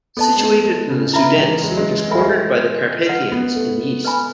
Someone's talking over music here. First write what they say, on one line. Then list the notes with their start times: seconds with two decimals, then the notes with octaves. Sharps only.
Situated in the Sudetes, it is cornered by the Carpathians in the east.
0.17 B3 A4 D#5 A5
0.37 G#3
0.41 A3
0.65 A3
0.90 C#3
1.13 C#3 E4 B4 E5 B5
1.37 E3
1.62 G#3
1.70 F#3
1.77 G#3
2.10 A3 B4 E5 G#5 B5
2.17 G#3
2.25 A3
3.07 B4 D#5 F#5
3.32 B3
3.56 A3
4.05 B4 D#5 G#5 B5